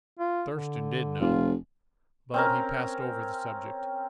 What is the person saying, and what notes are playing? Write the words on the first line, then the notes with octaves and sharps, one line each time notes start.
Thurston did know, but he passed over the subject.
F4
D3
F1 F4
C4 C#4 A#4